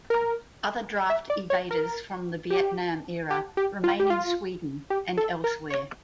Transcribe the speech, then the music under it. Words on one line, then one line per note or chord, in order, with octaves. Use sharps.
Other draft evaders from the Vietnam era remain in Sweden and elsewhere.
A#4
E5
D5
C#5
A#4
G4
G4
G4
F4
G4
F4
G4
A4
A#4
C#5